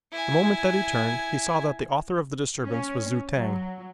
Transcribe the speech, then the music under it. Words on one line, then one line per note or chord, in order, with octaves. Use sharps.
The moment that he turned he saw that the author of the disturbance was Zu-tag.
E4 G#5
C#4
F#3